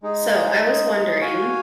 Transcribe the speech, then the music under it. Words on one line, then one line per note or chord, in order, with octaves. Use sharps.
So, I was wondering
G#3 D#4 G#4
F#4 C#5 F5 G#5